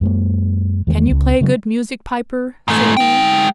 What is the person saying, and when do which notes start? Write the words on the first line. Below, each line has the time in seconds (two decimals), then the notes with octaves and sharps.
"Can you play good music, piper?" said he.
0.01 F#2 G#3 A#3
0.87 E2 D#3 G#3 A#3
1.11 C#2
1.41 C#3 F#3
2.68 G#2 A3
2.97 G#3 G5